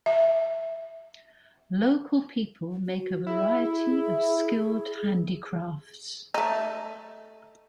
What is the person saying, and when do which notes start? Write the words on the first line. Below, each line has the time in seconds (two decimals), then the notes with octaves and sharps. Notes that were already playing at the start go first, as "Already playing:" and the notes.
Local people make a variety of skilled handicrafts.
0.06 E5
2.85 F#4
3.27 E4 G#4
6.34 A3 D#4